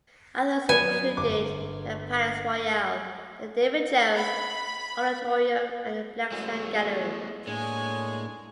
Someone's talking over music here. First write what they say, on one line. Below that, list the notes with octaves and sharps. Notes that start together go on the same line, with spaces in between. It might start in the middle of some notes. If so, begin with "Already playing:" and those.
Others included the Palais Royale, the David Jones Auditorium and the Blaxland Galleries.
F#3 B3 D5 G#5 B5
G1 D6
B5
G#3 A3 B3 E4 F#4 C#5
A2 G#3 A#3 D4 C#5 G#5